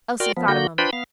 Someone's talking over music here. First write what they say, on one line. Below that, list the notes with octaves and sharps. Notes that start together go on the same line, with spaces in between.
Elsie thought a moment.
F#4 A#4 D5 G5 C6 F6
F3 B3
D3 A#3 F#4 G6
D4 F4 B4 C5 G5 B5
B3 F5